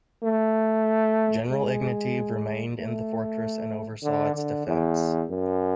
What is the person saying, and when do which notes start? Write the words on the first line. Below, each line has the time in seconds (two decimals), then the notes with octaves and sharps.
General Ignatiev remained in the fortress and oversaw its defence.
0.23 A3
1.50 G#3
2.77 A3
4.03 D3
4.35 D3
4.67 E2
5.30 F#2